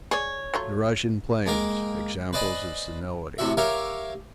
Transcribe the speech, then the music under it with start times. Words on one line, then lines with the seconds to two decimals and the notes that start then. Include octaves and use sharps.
The Russian Plains--Examples of 'senility.'
0.11 G#4 C#5 D5
0.54 F#3 A3 F4
1.46 G#3 A#3 A#4 G5
2.33 B4 C5 D5 D#5 G#5 B5
3.38 A2 C3 C4 F#4 E5
3.57 G4 A#4 C#5 E5 F5 G5